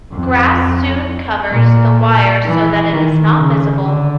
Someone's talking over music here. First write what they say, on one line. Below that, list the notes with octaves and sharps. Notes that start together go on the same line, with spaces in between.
Grass soon covers the wire so that it is not visible.
F2
A#2
E3
D#3
C#3
D3